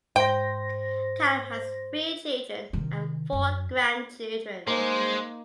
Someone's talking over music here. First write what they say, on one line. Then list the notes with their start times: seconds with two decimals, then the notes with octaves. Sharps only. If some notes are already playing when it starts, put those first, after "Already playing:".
Callum has three children and four grandchildren.
0.16 G#2 C5 G5 A#6
2.73 C3 D#3
3.33 F#2
4.67 G#3 A#3 D#4 C5